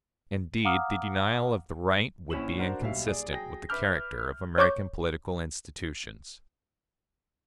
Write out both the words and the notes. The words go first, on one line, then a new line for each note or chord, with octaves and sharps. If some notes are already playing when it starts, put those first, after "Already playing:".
Indeed, the denial of the right would be inconsistent with the character of American political institutions.
F5 F#5 A#5 D6 D#6 F6
A#1 C#4 E4 E7 F#7
D4 F#4 A#4 C5
D#1 B1 E5 F5
G#4 D5
F#3 G#4 G5 A#6
B4 E5 B5 D6 F6 G6
C#5 C#6 D6 G6